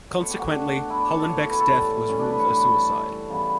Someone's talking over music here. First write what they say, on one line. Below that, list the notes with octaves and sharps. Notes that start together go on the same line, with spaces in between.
Consequently, Hollenbeck's death was ruled a suicide.
B2 A3
C#5
G4
F#4
D4
E4
D5
C#5
A4
C#5
C#5
B4
A4
A2 E3 G3
C#4
D4
B4
C#5
B4
C#3 E3 G3 B3